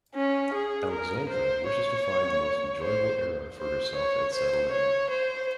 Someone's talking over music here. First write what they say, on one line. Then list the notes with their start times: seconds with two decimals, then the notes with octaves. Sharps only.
Alexandra wishes to find the most enjoyable era for herself and settle down.
0.15 C#4
0.53 G#4
0.91 A#4
1.29 C5
1.67 C#5
2.81 C5
3.58 C5
3.95 C#5
4.34 C5
4.72 C#5
5.10 C5